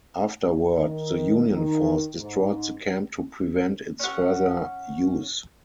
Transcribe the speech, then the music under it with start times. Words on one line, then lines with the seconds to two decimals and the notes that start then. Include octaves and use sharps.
Afterward, the Union force destroyed the camp to prevent its further use.
0.76 D#3
1.50 D#3
2.17 G#2
3.99 C#4 F#5